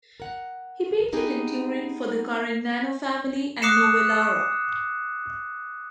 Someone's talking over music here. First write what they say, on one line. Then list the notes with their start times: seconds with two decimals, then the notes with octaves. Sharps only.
He painted in Turin for the Carignano family and Novellara.
0.20 A#4 F#5
1.13 B3 D#4 G4 G#4
3.62 D6 D#6 F#6 C7 C#7 E7